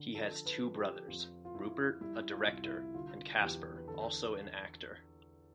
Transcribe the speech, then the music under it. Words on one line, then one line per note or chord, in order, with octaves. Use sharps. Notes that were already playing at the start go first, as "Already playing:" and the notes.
He has two brothers: Rupert, a director, and Casper, also an actor.
Already playing: D3
F3 A4
B4
F3
G4
F2 F4
F4
F2 E4
G3 E4
F4
C2
E4
D3 F4
E2 G4
B4
D3 A4